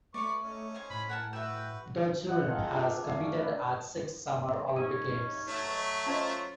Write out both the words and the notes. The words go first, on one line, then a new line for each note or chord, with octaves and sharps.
Dorjsuren has competed at six Summer Olympic Games.
A3 B4 C#5 D5 C#6 D6
C#4 D#4
C5 G#5
A2 B5
A#4 F#5 G#5 A5
F#4 B4 E5 G5 E6
D#5 F#5
D#3 F4 G#4 A4
D3 D4 G#4
A3 G#4
C#3 D4 E4
C#4 D#4 G4
F#3 A3 C#5
C#4 F4 C5 D#5